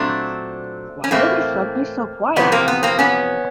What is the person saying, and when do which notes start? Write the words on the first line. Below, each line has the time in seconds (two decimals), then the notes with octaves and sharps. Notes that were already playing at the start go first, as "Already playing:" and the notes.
Why are they suddenly so quiet?
Already playing: A#2 F#3 A3 C4 D4
1.04 C#4
1.11 A2 E3 A3 A#3 C4
2.36 F2 C3 E3 B3
2.52 A#3 C4
2.68 B3
2.83 A#3 C4
2.99 B3 C#4